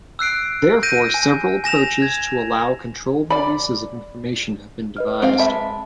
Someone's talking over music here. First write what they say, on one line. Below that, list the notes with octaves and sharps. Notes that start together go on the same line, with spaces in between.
Therefore, several approaches to allow controlled releases of information have been devised.
E6 F#6 C7 D7
G6 A#6 D7 D#7
G#5
G#5 A#6 E7 F7
G#6
D5 B5
B4 D#5 F6
C4 F5
G#3 E5 A5 B5